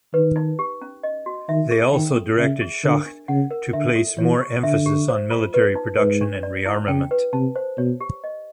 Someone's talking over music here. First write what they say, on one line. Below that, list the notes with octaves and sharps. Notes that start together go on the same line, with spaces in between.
They also directed Schacht to place more emphasis on military production and rearmament.
D#3 B4
D#4
G4
C#4
D#5
F#4
D#3 E5
G#4
D#3 G5
A4
C#3 E5
G#4
D3 A#4
D4
C#3 F#5
A#4
D3 E5
A4
E3 C#5
G4
D3 E5
G4
C5
F4
B4
D#4
G#2 B4
D4
D5
E4
C#3 G5
B4
C3 A5
C5
B2 C#5
G4
D#5